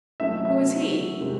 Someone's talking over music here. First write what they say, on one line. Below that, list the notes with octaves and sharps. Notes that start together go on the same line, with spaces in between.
"Who is he?"
F#3 A3 C#4 F#4 E5
E5
C3 D#3 G#3 C#4